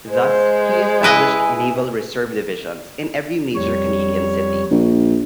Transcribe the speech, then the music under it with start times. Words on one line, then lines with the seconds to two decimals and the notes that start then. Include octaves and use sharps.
Thus he established Naval Reserve Divisions in every major Canadian city.
0.10 G#3 C5
1.03 E4 B4 D#5 G#5
3.55 F2 G3 C#5
4.70 A#1